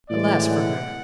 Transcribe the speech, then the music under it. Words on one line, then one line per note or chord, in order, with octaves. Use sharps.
Alas for her!
A2 E3 G#3 D5
F#5